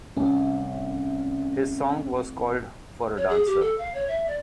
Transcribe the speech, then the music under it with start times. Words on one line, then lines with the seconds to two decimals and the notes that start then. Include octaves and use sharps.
His song was called "For a Dancer".
0.17 C2 A2 C#4
3.17 C#5
3.29 G#4
3.46 G4
3.61 A4
3.78 F5
3.94 C#5
4.08 E5
4.27 D5